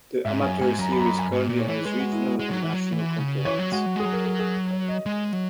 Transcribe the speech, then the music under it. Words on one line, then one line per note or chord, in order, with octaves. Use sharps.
The amateur series currently has regional and national components.
G#2 E5
F#2 G#5
G#2 G#5
F#2 A#5
B5
A#5
B5
G#5
G#2
A#2
C#5
E3
G#3 B4
F#4
E4
F#4
G#3
F#3
E3
F#3
E3
C#3
E3 C#5
F#3
G#3 F#4
F#3
G#3 G#4
F#3
A#4
G#4
G#4
C#5
D#5
G#3 D#5
F#3